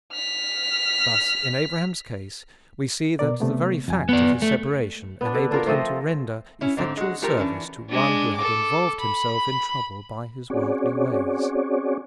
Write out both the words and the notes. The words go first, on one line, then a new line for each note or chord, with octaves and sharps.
Thus, in Abraham's case, we see that the very fact of his separation enabled him to render effectual service to one who had involved himself in trouble by his worldly ways.
F6 B6
B2 A#4 D5
C3 A3 B3
F2 G#5
B3 D5
A3
B3 D4
D3
D4 F4 A#4
F3 A3 C4 D#5
C#4 E4
G#2 D3 C4
G#3 F#4
A3 F4 G4 A#4
E3 C#4 D4
G#3 D4
A4 D6
B5
C4 C#4 F#4 G#4 C#5 D5